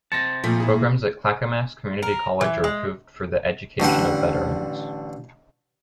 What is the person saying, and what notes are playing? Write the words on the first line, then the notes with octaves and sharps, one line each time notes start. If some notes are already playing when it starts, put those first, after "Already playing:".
Programs at Clackamas Community College are approved for the education of veterans.
C3 C5 A5 A#6 C#7
A#2 F3 A3 B6
E4 G#4
A#4
E3
G#3
A1 D3 G3 F#5